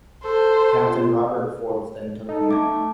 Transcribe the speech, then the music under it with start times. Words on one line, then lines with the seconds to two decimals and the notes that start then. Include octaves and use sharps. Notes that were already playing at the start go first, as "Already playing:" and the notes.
Captain Robert Forbes then took command.
0.25 A4 C5
0.85 F4
2.29 D#4 A4
2.49 A3 A5 D6 G#6